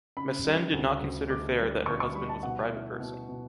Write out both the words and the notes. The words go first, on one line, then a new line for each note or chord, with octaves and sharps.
Mesene did not consider fair that her husband was a private person.
C#3 B5
G3
D2
D2
D2 D6
G3
D2 C#6
C#6
G3 B5
A5
B2 F#5
E4
B2
B2